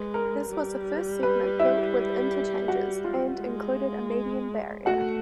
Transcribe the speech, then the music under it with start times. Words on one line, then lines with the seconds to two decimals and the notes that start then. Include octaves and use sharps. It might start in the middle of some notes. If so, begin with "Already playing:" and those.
This was the first segment built with interchanges, and included a median barrier.
Already playing: G#3 B4
0.14 A#4
0.50 G3
1.23 B4
1.59 E4 E5
2.68 F#4 F#5
3.04 F4 F5
3.41 G#3
4.86 A3 F#4 F#5